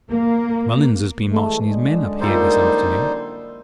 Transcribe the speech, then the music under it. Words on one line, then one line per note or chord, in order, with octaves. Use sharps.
Mullins has been marching his men up here this afternoon.
A#3
E3 G#3 A3
F#2 D3 G#3 D5
A#2 G3 D#4 E4 A4 C5